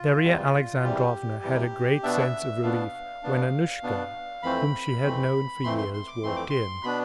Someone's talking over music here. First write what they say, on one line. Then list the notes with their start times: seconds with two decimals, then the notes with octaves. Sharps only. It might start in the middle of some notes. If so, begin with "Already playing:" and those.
Darya Alexandrovna had a great sense of relief when Annushka, whom she had known for years, walked in.
Already playing: F4
0.23 E2 C3 E3 G3
0.83 E2 C3 E3 G3 G4
1.43 E2 C3 E3 G3
2.03 B2 B3 D4 E5
2.63 B2 B3 D4 F5
3.23 B2 B3 D4
3.83 B2 B3 D4
4.43 F2 E3 A3 C4 B5
5.03 F2 E3 A3 C4
5.64 F2 E3 A3 C4 C6
5.78 C6
5.94 C6
6.08 D6
6.23 F2 E3 A3 C4 C6
6.36 D6
6.50 C6
6.83 B2 B3 D4 B5